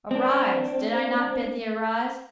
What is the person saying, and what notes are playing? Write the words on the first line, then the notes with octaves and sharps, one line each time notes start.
"Arise! did I not bid thee arise?"
C4 D4